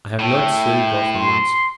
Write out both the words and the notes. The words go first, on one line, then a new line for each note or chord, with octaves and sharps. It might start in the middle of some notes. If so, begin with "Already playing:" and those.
"I have not seen Gore for months."
A2 E4 A4 G5
C6